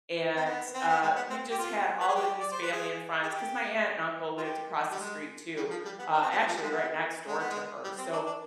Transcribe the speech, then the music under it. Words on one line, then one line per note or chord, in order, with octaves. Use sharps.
and, uh, we just had all of these family and friends, 'cause my aunt and uncle lived across the street too, uh, actually right next door to her, so
C4
B3
C4
B3
G#3
B3
C4
G4
F4
B4
G#4
G4
D5
C5
B4
G#4
G#4
G4
F4
G4
G3
G#3
G3
F3
G3
B3
D4
C4
B3
C4
F3
G3
G#3
B3
G#3
B3
G#3
G3
C4
D4
D4